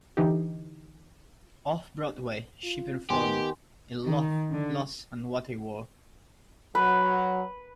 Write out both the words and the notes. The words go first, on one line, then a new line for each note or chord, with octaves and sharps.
Off-Broadway, she performed in "Love, Loss, and What I Wore".
D3 E3 D#4 G4
F4
D#3 B3 G4 B4 G#5 C6
D#3
D3
F#3 B4